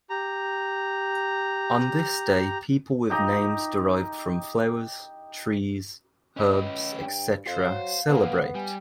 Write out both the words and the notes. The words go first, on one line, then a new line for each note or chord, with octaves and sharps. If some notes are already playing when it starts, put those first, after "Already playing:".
On this day people with names derived from flowers, trees, herbs, etc., celebrate.
G4 A#5
D#4 G4 D#5 A#5
C#4 B4 D#5
G2 G5
F2 C5 F5
F#3 C5
B2 A#3 B3
G3 G#5